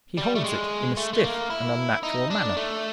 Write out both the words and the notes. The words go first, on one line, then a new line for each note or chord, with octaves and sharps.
He holds it in a stiff and unnatural manner.
G3
A3
G#3
A3
A3
A#3
E4
D#4
D4
A3